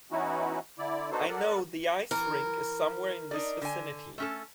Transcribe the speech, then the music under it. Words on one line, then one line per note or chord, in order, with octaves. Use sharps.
I know the ice rink is somewhere in this vicinity.
E3 B3 C#4 D#4 E4 F#4
D3 E4 D5
B3 D4 D#4 F#4 A4 C5
A4 A#4 D5 F#5
E3 A#4
D4 D#4 D5
D3 G#5
A3 C#4 A4